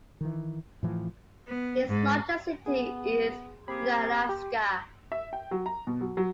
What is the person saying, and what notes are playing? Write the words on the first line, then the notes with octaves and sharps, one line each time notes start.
Its largest city is Unalaska.
D#3 E3
A2 E3 F3
B3
G#2
B3 G#4
A#3 C4 G4 G#4 B5
G4
E5
G5
F#3
A#5
B2
F#3
F#3